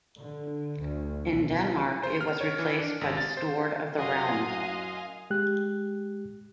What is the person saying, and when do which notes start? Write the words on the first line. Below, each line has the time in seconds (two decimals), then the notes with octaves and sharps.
In Denmark it was replaced by the Steward of the Realm.
0.20 D3
0.80 D2
1.31 B1
2.03 C5
2.21 F6
2.41 C#5
2.59 E3
2.79 D4
3.01 G#1
3.17 A6
3.37 C5
3.98 F#2 D#5 F5 F#5 G#5 C6
5.30 G#3 G4 F#6